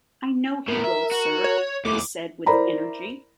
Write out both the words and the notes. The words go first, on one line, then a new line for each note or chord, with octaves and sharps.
'I know he will, Sir,’ he said, with energy.
A2 B3 A#4
E5
F#4
C#5
D#2 E3 A3 D6
E4 A#4 C5 D5 A#5 B5